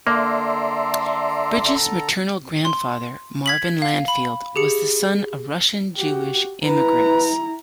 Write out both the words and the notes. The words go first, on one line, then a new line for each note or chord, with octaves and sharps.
Bridges' maternal grandfather, Marvin Landfield, was the son of Russian-Jewish immigrants.
D3 A#3 A4 D5 E5 A#5 C6
C6
G#6 B6 F#7
F5
B5
G4 G#4 C#7
F#4 G4
E4 B4 A#5